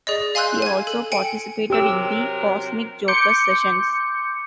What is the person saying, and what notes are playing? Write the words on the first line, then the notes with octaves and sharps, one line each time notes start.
He also participated in the Cosmic Jokers sessions.
G#4 D5 D#5
F5 G#5 C6 E6 F#6 G6
G#5 G#6
A4
G5 G#5 C#7
C3 F#3 G4 A#4 E6
C6 D6 G6 C#7